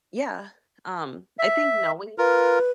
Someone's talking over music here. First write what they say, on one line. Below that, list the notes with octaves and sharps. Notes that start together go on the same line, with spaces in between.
yeah, um, I think knowing
E5
F4 A#4 B4